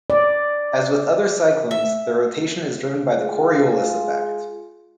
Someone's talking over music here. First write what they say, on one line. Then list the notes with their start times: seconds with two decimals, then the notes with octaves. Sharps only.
As with other cyclones, their rotation is driven by the Coriolis effect.
0.10 D5
1.71 E5
3.11 G#3 F4 G#4